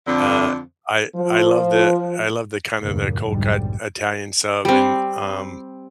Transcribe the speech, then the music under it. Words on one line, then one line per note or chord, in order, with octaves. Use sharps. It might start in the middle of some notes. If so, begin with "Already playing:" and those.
Uh, I I love the I love the kind of the cold cut Italian sub and, um,
F2 D3
F3
F#1 D#2 A2 C#3 A#3
B1 F2 G#2 D3 G3
G3 C4